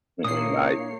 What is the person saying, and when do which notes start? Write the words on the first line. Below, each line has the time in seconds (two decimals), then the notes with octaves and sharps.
Mhm, ni
0.24 A#2 A#3 D4 E4 C#5 D#6 C7